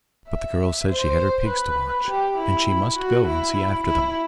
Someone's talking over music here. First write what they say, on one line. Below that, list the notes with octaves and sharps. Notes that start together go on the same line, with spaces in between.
But the girl said she had her pigs to watch, and she must go and see after them.
E5
C5
B4
G4
E4
F#4
E4
E4